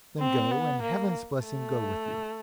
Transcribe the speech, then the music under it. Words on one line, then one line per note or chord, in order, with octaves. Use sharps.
Then go, and Heaven's blessing go with you.'
C4
B3
A#3
A3